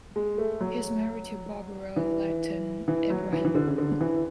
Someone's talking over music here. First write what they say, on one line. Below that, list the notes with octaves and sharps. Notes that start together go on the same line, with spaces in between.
He is married to Barbara Lethem Ibrahim.
G#3
A3
F#3
E3
E3
F#3
E3
E3
D3
C#3
D3
E3